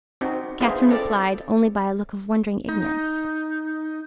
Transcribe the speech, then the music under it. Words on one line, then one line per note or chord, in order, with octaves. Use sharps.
Catherine replied only by a look of wondering ignorance.
C4 D#4 F#4
B3 D4 E4 F4 G#4 C5
C4 A4 D5
D#4